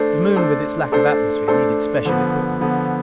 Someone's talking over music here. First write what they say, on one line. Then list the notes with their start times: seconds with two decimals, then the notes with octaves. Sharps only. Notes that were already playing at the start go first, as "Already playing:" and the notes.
The Moon, with its lack of atmosphere, needed special equipment.
Already playing: A3 D4 A4 C5
0.36 A3 D4 A4 C5
0.92 A3 D4 A4 C5
1.48 A3 D4 A4 C5
2.05 D3 F3 B3
2.60 D3 F3 B3